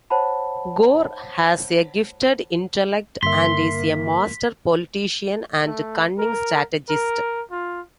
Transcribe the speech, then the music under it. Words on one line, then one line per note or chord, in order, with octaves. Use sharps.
Ghaur has a gifted intellect, and is a master politician and cunning strategist.
C5 C#5 F#5 A5 B5
G2 D3 A#3 E5 C6 B6
A3
A#4
A#4
F4